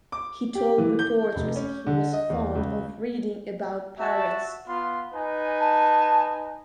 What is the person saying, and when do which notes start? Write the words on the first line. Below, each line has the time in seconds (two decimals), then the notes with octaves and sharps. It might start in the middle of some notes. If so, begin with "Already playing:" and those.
He told reporters he was fond of reading about pirates.
0.12 D6
0.55 G4
0.78 E3
0.99 G6
1.36 F1
1.56 C#4
1.87 D3
2.13 D#5
2.30 E2
2.55 C#2
3.99 F#4 E5 A5
4.67 B3 F4 C6
5.13 D#4 B4 G#5
5.60 A5